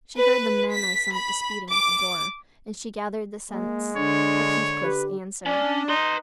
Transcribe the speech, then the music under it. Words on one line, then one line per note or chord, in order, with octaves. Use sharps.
She heard the men I sent disputing at the door, and she gathered the sense of Heathcliff's answer.
B4
B6
B5
D6
G#3 A#3
D3 D4 C#5
G4 B4
C#4 D4
D#4 B4 C6